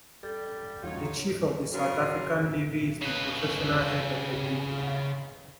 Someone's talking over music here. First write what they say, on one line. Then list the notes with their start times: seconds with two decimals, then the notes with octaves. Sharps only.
The Chief of the South African Navy is the professional head of the Navy.
0.23 G3 A4
0.83 E2 G3 D#4 F4 F#4 C#5
1.73 C#3 F#3 F4 G#4 A#4
3.01 C#3 B4